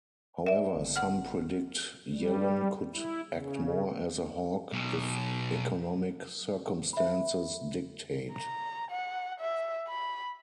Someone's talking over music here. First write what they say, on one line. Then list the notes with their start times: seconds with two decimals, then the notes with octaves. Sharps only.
However, some predict Yellen could act more as a hawk if economic circumstances dictate.
0.46 D5 E5
0.76 G1
0.96 F#5 F6
2.14 G3
2.94 E4
3.29 C#3
4.72 B1 B2
6.93 E5 B5
8.33 A#5
8.91 F#5
9.40 E5
9.88 B5